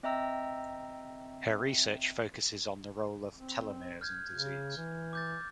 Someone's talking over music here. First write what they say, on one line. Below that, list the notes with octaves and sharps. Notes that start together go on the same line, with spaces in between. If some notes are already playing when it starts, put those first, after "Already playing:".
Her research focuses on the role of telomeres in disease.
C4 D#5 E5 G5 A#5 E6
C4
F6 G6 G#6
C#3
E3
D6 G6 A6